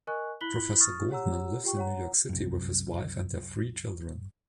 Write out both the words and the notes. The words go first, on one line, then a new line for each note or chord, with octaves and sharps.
Professor Goldman lives in New York City with his wife and their three children.
A#4 D#5 G#5 C#6 F#6
E4 B5 F#6 B6 F#7 G7
C#6 D#6 F6 A6
G4 C#5 F#5 A#5 E6
F4 G4 G5 C#6
C#5 F#5 A#5
C2 F#2